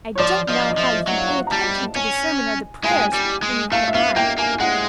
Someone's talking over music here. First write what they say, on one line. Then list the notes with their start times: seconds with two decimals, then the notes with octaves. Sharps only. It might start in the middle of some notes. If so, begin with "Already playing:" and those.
I don't know how you can pay attention to the sermon or the prayers when you have it on.
0.15 C#5
0.19 F3 D5
0.49 F3 D#5
0.70 D#5
0.78 F3 E5
1.08 F#3 F#5
1.18 F5
1.28 F#5
1.47 A#5
1.51 G3 A5
1.96 C#4 G#5
2.84 G#3 G#5
2.91 G5
2.99 G#5
3.13 G3
3.42 G#3
3.72 A3 F5
3.88 E5
3.94 B3 F5
4.16 A#3 G5
4.38 A#3 G#5
4.60 G#3 F#5